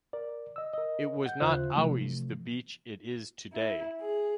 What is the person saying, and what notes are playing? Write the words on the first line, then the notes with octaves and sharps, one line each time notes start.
It was not always the beach it is today.
A#4 D5
D#5 E6
A#4 D#5
F#5 G6
D#2 C#3 F4 C5 E5 F#6
C3 E3 F3 A3
E4
G#4